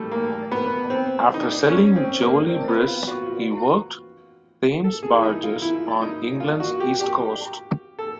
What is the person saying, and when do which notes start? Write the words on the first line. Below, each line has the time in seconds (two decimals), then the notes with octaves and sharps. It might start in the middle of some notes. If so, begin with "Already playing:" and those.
After selling Jolie Brise he worked Thames barges on England's east coast.
Already playing: G3 A3
0.11 A#3
0.52 B3
0.90 C4
1.34 D#4
1.44 D4
1.69 C#4
1.96 C4
2.21 A#3
2.48 C4
2.68 B3
2.87 F4
3.07 F#4
3.26 F4
4.84 A4
5.03 G#4
5.15 E4
5.23 D#4
5.43 F4
5.62 E4
6.02 D#4
6.40 F4
6.60 F#4
6.80 G4
7.00 G4
7.99 A4